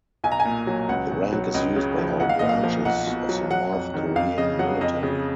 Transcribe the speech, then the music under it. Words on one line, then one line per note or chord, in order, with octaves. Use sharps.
The rank is used by all branches of the North Korean military.
B1 G#5
A#5
G#5
A#2
F#3
C#2 F#5
B2
F#3
C#2 D#5
C#3
F3
B1 F#5
F5
A#2 D#5
F5
F3
B1 F#5
B2
F#3
F#3 F#5
F2
D#3
F2 F5
C#3 D#5
F#3 F#5
F2 D#5
C#3